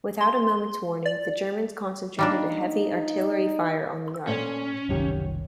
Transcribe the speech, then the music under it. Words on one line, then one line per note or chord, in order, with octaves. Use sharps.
Without a moment's warning, the Germans concentrated a heavy artillery-fire on the yard.
C6
D5
G3 A#3 D4 D#4
A#2 C#4 A4 C5
F#1 C2 D#3 F#3 F4 G4